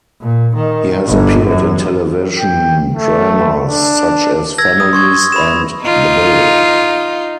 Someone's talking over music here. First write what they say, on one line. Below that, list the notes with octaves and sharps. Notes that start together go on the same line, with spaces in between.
He has appeared in television dramas such as "Families" and "The Bill".
A#2
D#3
G1
F#2
G5
A3
D4
E6 G#6 A#6
D#6
C6 C#6 G#6
B5 E7
D#4 F4